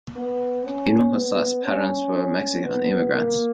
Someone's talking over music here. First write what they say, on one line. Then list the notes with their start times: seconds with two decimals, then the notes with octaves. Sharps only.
Hinojosa's parents were Mexican immigrants.
0.16 B3
0.66 C#4
1.15 B3
1.65 C#4
2.14 C#4
2.63 B3
3.12 A#3